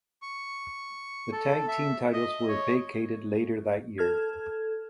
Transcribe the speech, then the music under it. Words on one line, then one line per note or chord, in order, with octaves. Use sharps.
The tag team titles were vacated later that year.
C#6
A4
E5
D#5
C#5
A4 F6 G#6